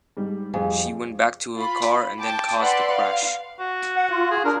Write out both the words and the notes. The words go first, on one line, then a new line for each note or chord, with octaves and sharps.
She went back to her car and then caused the crash.
G#2 G3
F2 G3 G#4
F4 B5
G5 A5 D6
B4 D5 E5 F#5 B5 C6
F5
F#4
F#5
F4
G#4
D4 A#4